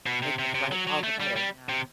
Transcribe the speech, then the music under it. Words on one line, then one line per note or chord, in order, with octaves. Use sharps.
make the flight all the better, you know?
B2
C3
C3
C3
F#3
F#3
A3
G3
G3
C3